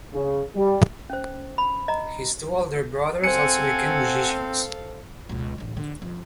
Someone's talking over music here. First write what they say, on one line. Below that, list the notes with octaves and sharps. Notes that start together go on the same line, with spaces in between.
His two older brothers also became musicians.
C#3
G3
C#4 C5
B5
D#5 A#5
C4 A4 C5 F5 F#5 G#5 G#6 C#7
C#2 B2
A1 D3
D3
F2